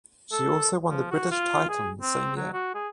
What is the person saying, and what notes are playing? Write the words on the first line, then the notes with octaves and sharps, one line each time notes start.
She also won the British title in the same year.
A4
F3
F#4
F4
G#4
C4
F#3
F#4
G#4